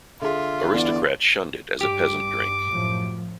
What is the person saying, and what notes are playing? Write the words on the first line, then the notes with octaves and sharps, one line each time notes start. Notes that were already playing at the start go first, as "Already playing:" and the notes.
Aristocrats shunned it as a peasant drink.
D3 F4 G#4 E5
E2 D5
G2 G4 D6
F#2 A2 F3